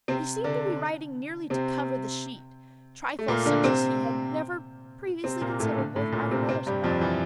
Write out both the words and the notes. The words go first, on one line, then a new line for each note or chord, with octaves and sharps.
He seemed to be writing merely to cover the sheet, trifles such as he had never previously considered worth writing letters about.
C3 C4
D3 D4
C3 C4
A3
A#2 A#3
D3 D4
C3 C4
C3 C4
A#2 A#3
A2 A3
D3
A2 A3
A#2 A#3
C3 C4
C3 C4
G2 G3
F2 F3
E3